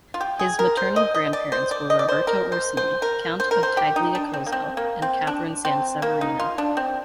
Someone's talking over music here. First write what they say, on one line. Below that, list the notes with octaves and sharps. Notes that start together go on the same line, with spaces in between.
His maternal grandparents were Roberto Orsini, Count of Tagliacozzo and Catherine San Severino.
F4
G4
G#4
A#4
C5
D#5
D#5
D5
C5
D5
D#5
D5
C5
A#4
C5
C5
A#4
C5
A#4
C5
G4
D#4
D4
C4
A#3
C4
A#3
C4
D4
C4
A#3
D#4
F4
D4
C4